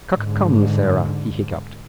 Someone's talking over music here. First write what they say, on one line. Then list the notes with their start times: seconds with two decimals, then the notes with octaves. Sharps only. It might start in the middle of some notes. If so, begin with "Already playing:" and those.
"Cuc-come, Sarah," he hiccuped.
0.13 G#2 D3